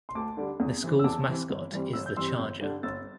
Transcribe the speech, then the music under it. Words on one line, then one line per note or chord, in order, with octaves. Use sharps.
The school's mascot is the Charger.
C6
D2 A5 D6
D3 G3 D4
E2
C3 E3 C4
E6
E2 A5 D6
C3 E3 C4
G1
G2 E3 G3 C4
G1 E6
G6
G2 E3 G3 C4 C6 E6
G1
G2 D3 G3 D4
G1 E6 A6